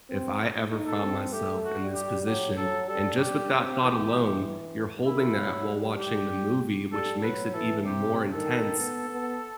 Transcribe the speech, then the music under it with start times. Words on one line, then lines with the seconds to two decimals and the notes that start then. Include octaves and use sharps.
if I ever found myself in this position" and just with that thought alone, you're holding that while watching the movie, which makes it even more intense.
0.10 C4
0.71 D#4
0.87 A4
1.02 C4
1.33 A3 G4
1.65 F#4
1.80 G3
1.95 G4
2.26 F#3 G4
2.57 F#3 A4
2.88 G3 A4
3.19 G3 G4
3.50 C4
3.81 E3
5.05 D#3 E4
5.36 F#3
5.68 G3
5.99 G4
6.92 G3 A4
7.23 F#3 B4
7.54 E3 A4
7.85 C3 G4
8.33 D#3 A4
8.79 B3
9.10 B3